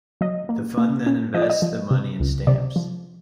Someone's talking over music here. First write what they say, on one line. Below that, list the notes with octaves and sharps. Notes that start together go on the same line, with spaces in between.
The fund then invests the money in stamps.
F#3 D#5
A#3
A#3
C#4
F3 D#5
D5
D#5
F3
C3
C#2
C3 D5
F3